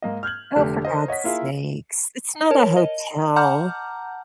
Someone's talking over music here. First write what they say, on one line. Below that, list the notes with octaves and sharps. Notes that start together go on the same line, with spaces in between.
Oh, for god's sakes. It's not a hotel.
G#2 A#3 D#5
F6 G6 G#6 F#7
F1 D3 A3 G4
A#4 C5 D#5
C#5 D#5 F#5 B6
A#3 E4 F4 G#4 E5
A#4 C#5 A5
D#5
F#5 A5 A#5 D6 F6 G6